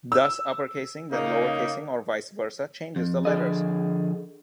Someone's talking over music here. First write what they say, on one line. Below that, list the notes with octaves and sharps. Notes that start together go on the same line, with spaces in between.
Thus uppercasing then lowercasing, or vice versa, changes the letters.
E6
C#3 A#3 D#4
F2
D3 F3 G#4 D5 D#5